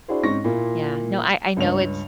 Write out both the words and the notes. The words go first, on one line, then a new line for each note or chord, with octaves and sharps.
Yeah. No, I I know it's
D4 E4 F#4 G#4 C5
G#2 C4 C#4 C#6 A#6
A#2 A#3 E4 F4
C#2 G2 C#5 F7